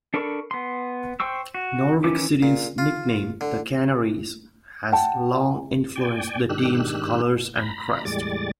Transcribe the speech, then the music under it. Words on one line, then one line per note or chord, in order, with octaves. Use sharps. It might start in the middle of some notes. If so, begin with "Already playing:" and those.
Norwich City's nickname, "The Canaries", has long influenced the team's colours and crest.
D4 A4 A#4 B5 C#6
B3 C6
C5 G5 C6 C#6 E6
F#4
D#3 E3 C#4 E4 D6
A#2
F4
D3
F#5 G5 A5
D5 G5 G#5
G#2 D#3 D4 G4 E6 F#6
A#5 B5
E2 A2 G3 G#3 D5 A6